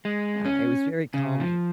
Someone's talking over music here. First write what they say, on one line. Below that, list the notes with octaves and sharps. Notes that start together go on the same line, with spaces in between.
yeah, it was very calming,
G#3
C#4
C#3
F3